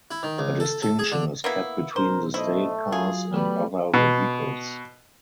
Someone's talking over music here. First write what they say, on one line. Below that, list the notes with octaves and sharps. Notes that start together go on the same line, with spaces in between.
A distinction is kept between the State Cars and other vehicles.
E4
D#3
C#2
A4
A4
G#4
D3
A#3 B3 E4
B1 A#4 C5
A3 E4 C5 D#5
F#3 F4 G#4
G3 A3 B3 B4
B2